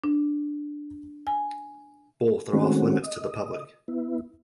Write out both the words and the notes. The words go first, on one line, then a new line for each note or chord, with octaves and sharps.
Both are off limits to the public.
D4
G#5
D#3 G#3 A3 C4 C#4 F#4
D#5
B3 E4